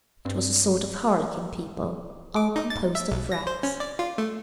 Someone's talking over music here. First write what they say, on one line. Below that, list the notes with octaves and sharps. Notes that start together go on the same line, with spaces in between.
It was a sort of harlequin people, all composed of rags.
G2 C4
D6
D#4
A6
E5
B1
A#6
C5
C#4
D5
F4
A3